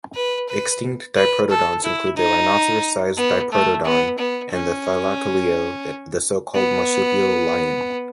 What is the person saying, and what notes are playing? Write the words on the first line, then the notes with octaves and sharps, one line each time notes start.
Extinct diprotodonts include the rhinoceros-sized "Diprotodon", and "Thylacoleo", the so-called "marsupial lion".
B4
B4
B4
A4
E4
D#4
B3
A3
B3
B3
C#4
B3